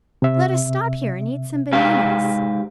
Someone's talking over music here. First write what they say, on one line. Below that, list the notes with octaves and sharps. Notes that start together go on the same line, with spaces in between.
Let us stop here and eat some bananas.
C3 E5
G#2 G4 F5